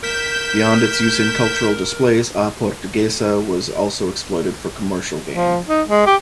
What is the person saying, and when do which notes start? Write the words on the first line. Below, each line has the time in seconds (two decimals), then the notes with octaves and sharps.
Beyond its use in cultural displays, "A Portuguesa" was also exploited for commercial gain.
0.03 A#4 G6 B6 E7
5.33 F3
5.68 D#4
5.88 G#3
6.06 G4